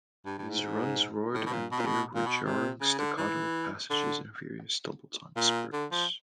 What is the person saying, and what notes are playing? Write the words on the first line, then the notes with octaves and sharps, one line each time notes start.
His runs roared, and there were jarring staccato passages and furious double-time spurts.
G2
G2
G#2
A2
B2
A#2
B2
A#2
B2
A#2
B2
C3
C#3
D3
E3
D3
A#2
D3
F3